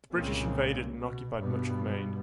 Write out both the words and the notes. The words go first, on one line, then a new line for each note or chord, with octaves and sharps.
The British invaded and occupied much of Maine.
C2 A#2 C#3 G#3 A#3 C4
B2
G2 B2 G3 B3